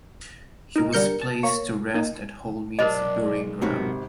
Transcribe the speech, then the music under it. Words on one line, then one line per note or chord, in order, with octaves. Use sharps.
He was placed to rest at Holmead's Burying Ground.
D#4 A#4
D3 G3 A#4 G6 C#7
A5
A#3 C#5
A#3 D#4
B1 D4 A#4 C5 D5 D#5
G#3
G#1 C3 A#3 B3 F#4